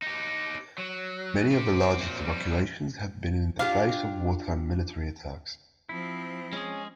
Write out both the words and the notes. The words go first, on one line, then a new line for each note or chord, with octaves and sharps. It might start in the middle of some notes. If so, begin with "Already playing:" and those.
Many of the largest evacuations have been in the face of war-time military attacks.
D#4 G4
F#3
C4 G4
A#2 C4
F2 G3
D4 F4 G4 F5
F3 C4 E4
G#3 C#4 G#4